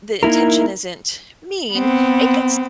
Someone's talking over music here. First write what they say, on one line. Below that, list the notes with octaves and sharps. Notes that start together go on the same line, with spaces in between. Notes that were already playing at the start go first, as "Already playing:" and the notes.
the intention isn't mean, it gets
A#3 D#4 E4 A#4
B3 C4